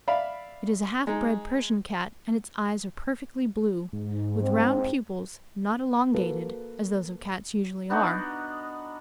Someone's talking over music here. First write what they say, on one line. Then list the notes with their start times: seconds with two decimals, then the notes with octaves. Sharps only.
It is a half-bred Persian Cat, and its eyes are perfectly blue, with round pupils, not elongated, as those of Cats usually are.
0.08 D5 E5 F5 B5
1.07 G#3 D#4
3.93 G#2
4.43 C4
6.14 A#3 F#4 A4 B4
7.90 B3 D4 D#4 F#4